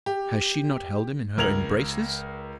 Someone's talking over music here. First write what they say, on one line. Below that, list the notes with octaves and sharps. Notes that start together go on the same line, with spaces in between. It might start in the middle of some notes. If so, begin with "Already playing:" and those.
Has she not held him in her embraces?
G4
C#2 A#4 G#6 F7 F#7